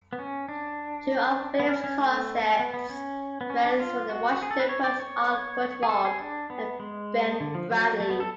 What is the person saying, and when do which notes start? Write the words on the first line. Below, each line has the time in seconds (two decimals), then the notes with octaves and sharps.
Two of Williams' closest friends were the Washington Post's Art Buchwald and Ben Bradlee.
0.13 B3
0.19 C#4
0.49 D4
1.60 B3
1.69 C#4
1.84 C#4
1.99 A3
2.59 B3
2.74 B3
2.90 C#4
3.41 B3
3.50 C#4
3.64 D4
3.80 F4
4.09 F#4
4.32 F#4
4.42 G#4
4.51 A4
4.60 B4
4.69 C#5
4.84 D5
5.00 C#5
5.83 G#4
5.89 A4
6.05 G#4
6.20 D4
6.50 B3
6.80 G#3
7.40 D3
7.55 F3
7.71 F#3
8.00 A3
8.10 B3
8.20 A4